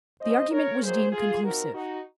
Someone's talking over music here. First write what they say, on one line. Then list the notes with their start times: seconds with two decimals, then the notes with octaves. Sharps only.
The argument was deemed conclusive.
0.21 F3 G#3 C#4 C5 D#5
0.51 A#4 C#5
0.82 C3 D#3 F#3 A#3 G#4 C5
1.12 F4 G#4
1.43 F3 C4 D#4 F#4 A#4
1.73 D#4 F#4